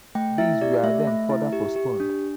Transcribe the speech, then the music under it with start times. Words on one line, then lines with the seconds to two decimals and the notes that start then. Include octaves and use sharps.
These were then further postponed.
0.15 A3 G5
0.38 E4 E5
0.61 G4 D5
0.83 A3 E5
1.07 A3
1.30 E4
1.53 G4
1.76 G4
2.00 D4